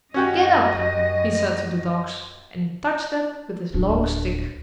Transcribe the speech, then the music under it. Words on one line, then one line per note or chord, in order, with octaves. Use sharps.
"Get up!" he said to the dogs, and he touched them with his long stick.
F#2 C#4 F#4 G4 D#5
D1 D4